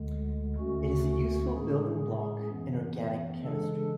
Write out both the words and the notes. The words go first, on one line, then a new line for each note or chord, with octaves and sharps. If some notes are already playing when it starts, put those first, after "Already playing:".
It is a useful building block in organic chemistry.
Already playing: D2 D3 G#3
D2 D3 A3 C#4 F#4
A2 G#3 C#4 G#4
F#2 E3 B3
C#3 E3 G#3 D4 A4